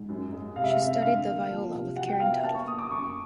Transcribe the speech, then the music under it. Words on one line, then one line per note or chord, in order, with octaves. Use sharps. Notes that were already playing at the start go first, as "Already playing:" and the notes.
She studied the viola with Karen Tuttle.
Already playing: G#2
F#2
G#3
C3 F5
E5
F5
C4 E5
D3 F5
A#3
F3
C3
F#3 F#5
G5
B3 F5
E5
A#3 A5
C#6
A#3 D#6
D6
F#2 C#6